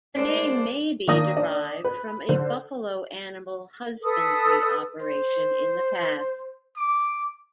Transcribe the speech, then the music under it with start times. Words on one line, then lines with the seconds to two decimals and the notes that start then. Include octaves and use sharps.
The name may be derived from a buffalo animal husbandry operation in the past.
0.16 A2 G#3 A#3 D4 C5 D5
1.07 D#3 A#3 D4 D#6 A#6
1.37 D4
1.85 B4
2.29 D3 C5
4.02 A4 B4 D#6
5.01 C5
6.76 D6